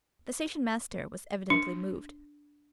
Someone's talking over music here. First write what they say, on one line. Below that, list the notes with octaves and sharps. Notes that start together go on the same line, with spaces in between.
The station-master was evidently moved.
D4